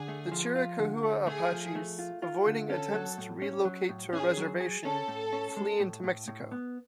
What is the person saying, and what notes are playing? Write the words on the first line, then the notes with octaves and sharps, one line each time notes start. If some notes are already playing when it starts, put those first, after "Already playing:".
The Chiricahua Apaches, avoiding attempts to relocate to a reservation, flee into Mexico.
Already playing: D3 G#4
A3
F3
F4
D3
A3
A3 G#4
F3
A3
F4
F4
D3
C#4 A4
F#3
A2
C#4
F#3
A2
C#4 G#4
F#3
G#4
C#4 A4
A2
C#4
G#3
A2
A2
A2
B3